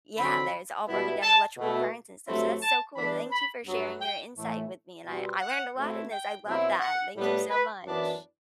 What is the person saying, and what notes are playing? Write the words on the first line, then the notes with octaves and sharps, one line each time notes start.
yeah, there's all broken down electrical currents and stuff, so that's so cool, thank you for sharing your insight with me and I I learned a lot in this, I love that, thank you so much.
D3 F#3 C4 B5
B2 G3 B3 E4
A5
B2 A3 E4
G2 F#3 A3 C4 E4 B5
A5
E3 B3 D4 B5
B5
G2 F#3 B3
G5
A2 E3 A3
B2 G3 C4
F#5
B2 A3 C4 E4
G5
B2 F#3 C4 E4
F#5
A2 G3 B3 D4
B4
F#2 E3 B3 D4